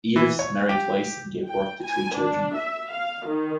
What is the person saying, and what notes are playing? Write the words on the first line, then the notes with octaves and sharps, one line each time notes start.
Elis married twice and gave birth to three children.
E3
C#5
G4
G5
G#5
D4
E5
F5
D#3